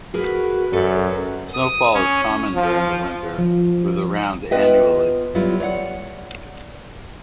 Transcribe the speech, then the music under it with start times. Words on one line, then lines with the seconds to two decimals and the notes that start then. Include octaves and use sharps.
Snowfall is common during the winter, with around annually.
0.14 F#4 G#4 A#4 B4
0.73 F#2 A4 B4 D5
1.53 D#6
1.94 C#4
2.55 F3
3.38 F3
4.51 B3 F4 B4 D#5 E5 G5
5.35 F#3 G3 B3 E4 F4
5.60 C#5 D5 F5 F#5